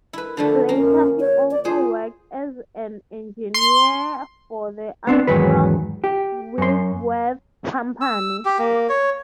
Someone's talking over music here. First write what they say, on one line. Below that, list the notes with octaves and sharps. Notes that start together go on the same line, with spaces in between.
Later he also worked as an engineer for the Armstrong-Whitworth company.
E4 B4
D3 F3 A3 D4
A#3 C#4
C#5
D5
F4 G#4 C5
C6
B3 C4 D4
E2 G#2 D#3 F#3 B4
G4
F#2 C6
E6
G4
A#3
C#5